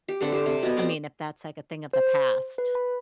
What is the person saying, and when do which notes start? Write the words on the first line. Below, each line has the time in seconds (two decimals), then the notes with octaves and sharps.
I mean, if that's, like, a thing of the past,
0.08 G4
0.21 D3 C4 A4 B4
0.32 G4 C5
0.46 C3
0.63 B2 B3
0.77 C4 D5
1.93 C5
2.58 B4
2.75 B5